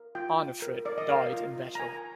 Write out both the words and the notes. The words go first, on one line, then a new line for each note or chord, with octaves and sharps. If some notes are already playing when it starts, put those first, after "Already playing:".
Arnefrit died in battle.
Already playing: A#4
F4 G5
F4
A#4
A#4 D5
D#5
A#4 F5
F4
F4
A#5
A#4 G#5